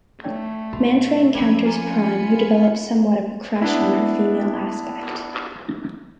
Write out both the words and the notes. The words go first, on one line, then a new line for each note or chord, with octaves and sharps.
Mantra encounters Prime who develops somewhat of a crush on her female aspect.
A3 C#5 D5 G5
B2 F#4 B5
F3 C4 C#4 B4 E5 D6 G#6
F4 G#4 G#5 A#5 B5 C#7
B3 D4 E4